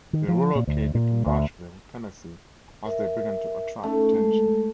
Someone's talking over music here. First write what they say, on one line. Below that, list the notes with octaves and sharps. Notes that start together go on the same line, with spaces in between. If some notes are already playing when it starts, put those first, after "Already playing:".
They relocated to Nashville, Tennessee as they began to attract attention.
D#3
F3
A#2
D2
A#2
D2
A#4 E5
A3 C#4 D#4
G#3 A4